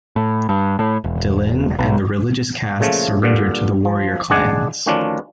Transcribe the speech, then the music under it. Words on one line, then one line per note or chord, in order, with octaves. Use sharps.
Delenn and the religious caste surrendered to the warrior clans.
A2
G2
A2
E1
B1
A#2 C#3 F3 A3
G2 A#2 D3
F3
A1 G#3 D4 D5 F#5 G#5
D2 D#3 F3 C#4 D4